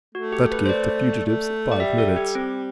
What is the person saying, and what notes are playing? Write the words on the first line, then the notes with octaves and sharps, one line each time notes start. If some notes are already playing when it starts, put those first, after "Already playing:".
That gave the fugitives five minutes.
A3 F#4
G4
B4
C5
D5
A3
D5
G3 E5
A4
G4
C4